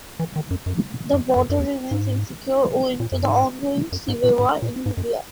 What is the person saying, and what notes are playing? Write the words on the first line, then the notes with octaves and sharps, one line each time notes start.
The border remains insecure owing to the ongoing civil war in Libya.
E3
D#3
F#2
F#2
F#2
F#2
F#2
E2
G#2
A#2
F#2
G#2
F#2
G#2
A#2
G#2
A#2
G#2
F#2